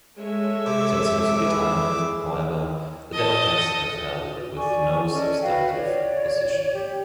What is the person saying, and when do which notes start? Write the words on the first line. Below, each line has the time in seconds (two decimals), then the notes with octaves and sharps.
Since his retirement, however, the Democrats have held it with no substantive opposition.
0.20 G#3 A4 C#5 E5
0.66 C3 D6 E6
1.45 G#4 B4
3.13 A4 D#5
4.56 D5 G#5 C#6
5.11 C#4 A4 D5 D#5
5.42 F#4 B4 F5 G5
5.73 C#5 D5
6.73 G4